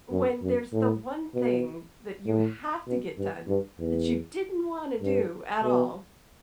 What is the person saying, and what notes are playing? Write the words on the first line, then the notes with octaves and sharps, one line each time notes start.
when there's the one thing that you have to get done that you didn't wanna do at all,
F#2
F#2
A2
B2
A2
B2
G2
G2
E2
G2
B2